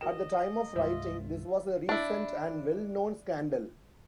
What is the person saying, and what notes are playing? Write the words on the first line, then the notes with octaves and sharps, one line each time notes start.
At the time of writing, this was a recent and well-known scandal.
F#4 A#4 D#5 G5 E7
C2 G2 G#3 F4 C5 E5
D4 E4